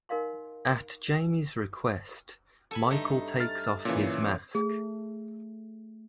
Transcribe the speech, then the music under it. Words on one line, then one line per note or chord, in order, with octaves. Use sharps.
At Jamie's request, Michael takes off his mask.
D#4 A#4 D#5 F5 C6
A4 G#5 B5
G2 A3 D#4
F6 A6
A#2 C#3 E3 A3
A3 G#4